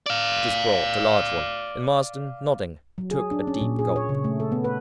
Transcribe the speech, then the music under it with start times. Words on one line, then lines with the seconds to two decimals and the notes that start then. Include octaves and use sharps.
It was brought, a large one; and Marsden, nodding, took a deep gulp.
0.06 D5 F5
2.98 F#3
3.11 G#4
3.31 D4
3.47 C#4
3.61 A#2
3.79 G#4
3.96 C#5
4.09 C#3
4.24 A3
4.40 A4
4.52 B3
4.64 B4